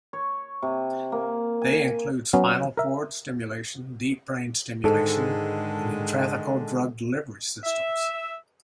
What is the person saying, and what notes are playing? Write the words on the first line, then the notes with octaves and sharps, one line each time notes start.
They include spinal cord stimulation, deep brain stimulation and intrathecal drug delivery systems.
C#5
C3
A#3
G#5
F#3 B3 C#4
A#4 E5
G#2 D3 D#3 G#3 A4
E5